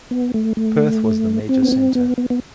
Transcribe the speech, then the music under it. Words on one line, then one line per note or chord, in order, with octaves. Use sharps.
Perth was the major centre.
B3
A3
A3
C4
B3
C4
B3
B3
B3